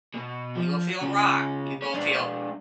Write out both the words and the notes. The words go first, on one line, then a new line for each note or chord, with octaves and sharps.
You will feel rock, you will feel
B2
F3
C#2 C#3
C#4 C#5
G#3 D4